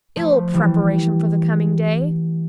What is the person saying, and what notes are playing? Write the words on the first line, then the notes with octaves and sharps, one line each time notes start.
Ill preparation for the coming day!
F3 A3
E3 G3